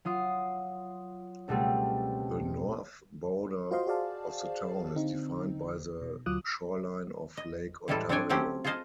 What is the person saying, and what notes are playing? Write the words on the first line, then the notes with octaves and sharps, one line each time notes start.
The north border of the town is defined by the shoreline of Lake Ontario.
F#3 F4 D#6 C7
C#2 B2 G3 A3 C4
F4 F#4 C5 D#5 F5 C6
F#4 G#4 C5 D5 F5 A5
D3 C4 D#4
B2
D2 F#3 F4 D6 D#6 F#6
D#5
A2 E3 G3 G#3 E4 A4
C4 D4 A4 C#5 G5 G#5
F#3 A3 C4 C#4 G4
F4 G#4 A4 C5 D#5 F5